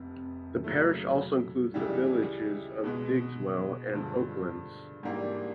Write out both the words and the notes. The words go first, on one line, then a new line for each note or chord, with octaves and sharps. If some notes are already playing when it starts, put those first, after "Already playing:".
The parish also includes the villages of Digswell and Oaklands.
Already playing: F1 F2 C3
C#3 F#3 A3
C#2 C#3 E3 G3
B2 G#3 B3
G2 D3 F3 G#3
G#2 E3 G3 A#3 D4